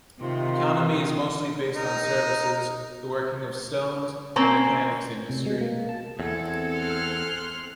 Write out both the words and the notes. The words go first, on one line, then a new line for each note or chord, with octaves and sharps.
Economy is mostly based on services, the working of stones, and mechanics industry.
C3 D#3 F4 C6
D#4 A#4
A#3 C4 C#4 C5
C3
G#3
A#3
A5
E2 C4 A4 G#6
C6 F6 F#6